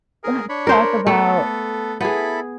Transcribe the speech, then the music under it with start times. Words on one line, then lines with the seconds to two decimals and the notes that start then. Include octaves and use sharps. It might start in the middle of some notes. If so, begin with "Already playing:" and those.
let's talk about
0.24 G#4 A#4
0.49 D4 C#5 B5
0.67 A#4 C5
1.07 A3 B3 A4
2.01 B3 E4 G#4 A4 B5